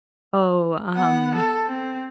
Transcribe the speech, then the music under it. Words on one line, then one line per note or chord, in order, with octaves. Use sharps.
"Oh, um"
B3 F#5
A4
C4